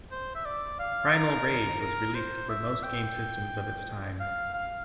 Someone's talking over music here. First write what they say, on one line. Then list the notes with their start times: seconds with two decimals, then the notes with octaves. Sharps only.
"Primal Rage" was released for most game systems of its time.
0.11 C5
0.35 E5
0.45 D5
0.79 F5
1.13 A#4
1.47 A#4
1.81 A#4
2.15 C5
2.49 E5
2.83 G5
4.20 F5
4.54 F5